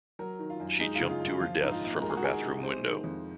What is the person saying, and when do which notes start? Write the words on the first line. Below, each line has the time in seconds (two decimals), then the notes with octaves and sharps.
She jumped to her death from her bathroom window.
0.19 F#3 A#4
0.39 D#3
0.50 F4
0.60 F#2
0.80 G#3 D#4
0.95 F4
1.01 C#3
1.10 F4
1.20 F#2 F4
1.41 F3 F4
1.62 G#2 D#4
1.72 F4
1.81 A#1
2.02 G#3 A#4
2.10 G#4
2.17 F#4
2.23 D#3 G#4
2.42 C3
2.63 G#3 C5
2.83 D#3
3.04 F2